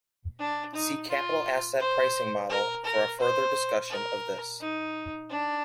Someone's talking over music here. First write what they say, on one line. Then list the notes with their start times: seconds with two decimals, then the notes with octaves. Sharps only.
See Capital asset pricing model for a further discussion of this.
0.39 D4
0.74 D#4
1.09 F4
1.79 C5
2.50 A#4
2.85 A#4
3.20 C5
3.90 A#4
4.60 D#4
5.30 D4